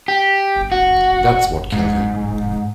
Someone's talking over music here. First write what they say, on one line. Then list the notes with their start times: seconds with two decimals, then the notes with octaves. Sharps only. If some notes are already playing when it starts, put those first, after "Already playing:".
That's what killed him.
0.08 G4
0.72 F#4
1.72 G#2